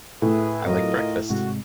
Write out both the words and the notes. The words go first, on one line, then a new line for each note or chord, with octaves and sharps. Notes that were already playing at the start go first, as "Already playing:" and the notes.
I like breakfast.
A2 G#4 B4 E5
F#3 G3 C4 F4 A#4 D#5
A3
G#2 C3 G#3 F#4